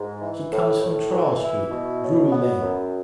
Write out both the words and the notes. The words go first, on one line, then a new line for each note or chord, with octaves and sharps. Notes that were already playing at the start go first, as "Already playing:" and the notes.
She comes from Charles Street, Drury Lane!'
Already playing: G#2
E3
A2
A2
E3
E4
B2
F#3
B3
F#2